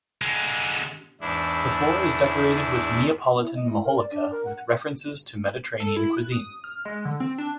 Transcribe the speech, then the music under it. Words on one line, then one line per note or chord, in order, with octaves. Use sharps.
The floor is decorated with Neapolitan majolica with references to Mediterranean cuisine.
D3 G#3
E2 G#2 D4 E4
E4
D#5
E4
A#4
D5
D4
A#4
F#5
A4
E4
F#6
D#6
F6
G#3
D3
C4
D4